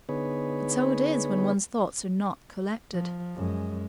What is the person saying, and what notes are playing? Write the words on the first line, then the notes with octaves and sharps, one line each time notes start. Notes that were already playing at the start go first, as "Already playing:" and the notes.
But so it is when one's thoughts are not collected.
D3 B3 D#4 G#4 B4 C#5
F3
F#2 G#3